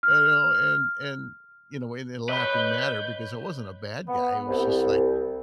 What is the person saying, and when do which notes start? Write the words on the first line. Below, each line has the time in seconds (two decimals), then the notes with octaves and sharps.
You know? And and, you know, in a way, they laughing matter because I wasn't a bad guy, it was just like,
0.03 F6
2.29 B4 C#5 D#5 B5 G6
4.08 B3
4.47 C2